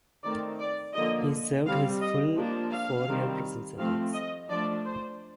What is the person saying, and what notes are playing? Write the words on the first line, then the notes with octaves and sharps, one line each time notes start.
He served his full four-year prison sentence.
D#3 A3 C4 D5
D5
D3 F3 A#3 D#5
G3 C4 F5
D#5
F3 A#3 D4
F5
D#3 G3 C4
F3 A3 C4 F5
D#5
F3 A3 D4 D5
C5